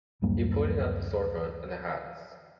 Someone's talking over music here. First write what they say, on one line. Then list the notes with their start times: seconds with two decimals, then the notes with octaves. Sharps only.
He pointed out the storefront and the hats.
0.22 D1 F#2 G3 A#3